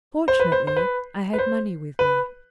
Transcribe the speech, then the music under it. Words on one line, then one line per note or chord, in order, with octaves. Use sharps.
Fortunately I had money with me.
C5
B4
C5
C5
B4
B4
C5
B4